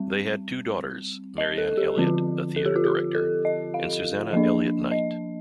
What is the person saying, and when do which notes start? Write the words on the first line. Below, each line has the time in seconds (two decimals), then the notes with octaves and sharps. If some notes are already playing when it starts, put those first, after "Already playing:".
They had two daughters - Marianne Elliott, a theatre director, and Susannah Elliott-Knight.
Already playing: G3 C4
1.38 D#5
1.58 A4
1.77 G4
1.97 D3 F3 C4 F4
2.56 A4
2.66 G4
2.76 F4
2.85 G4
3.15 A4
3.45 D#5
3.74 F5
4.33 F3 A#3 D4 D#5
4.91 D#5